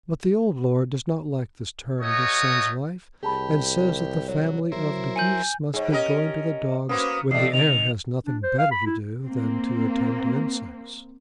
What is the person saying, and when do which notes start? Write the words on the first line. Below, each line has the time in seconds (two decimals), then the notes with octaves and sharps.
But the old lord does not like this turn in his son's life, and says that the family of De Geese must be going to the dogs when the heir has nothing better to do than to attend to insects.
2.01 A3 F#4 C#5 D#5 D#6
3.23 C2 G4 G#4 A5 B5
4.28 F#3 C#5
4.72 F#3 E4 A#4 C5
5.16 G#5 G6 C#7 D#7 F#7
5.74 G#2 G#4 C#5
5.92 C#4 G4 A#4 D#5
6.89 A#3 B3 C#4 F#4 B4 C5 D#6
7.31 E2 A3 D5 D#5 C7
7.53 C3 D#3 F7
8.26 D4
8.43 C5
8.59 F5
8.71 B5
8.86 E4
9.25 A#3 C4